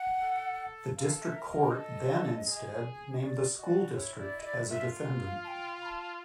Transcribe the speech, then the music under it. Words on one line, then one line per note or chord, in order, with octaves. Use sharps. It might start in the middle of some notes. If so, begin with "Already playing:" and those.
The District Court then instead named the school district as a defendant.
Already playing: F#5
A4
A4 F5
E5
A#4
D#5
A4
G#4
D5
F#4 D5 D#5
E4 C#5
D5
D#5
D5
F4 E5
F5
A5
G5
B5
A5